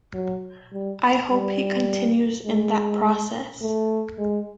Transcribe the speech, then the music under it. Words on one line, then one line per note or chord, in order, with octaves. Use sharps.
I hope he continues in that process.
F#3
G3
G3
G#3
A3
G#3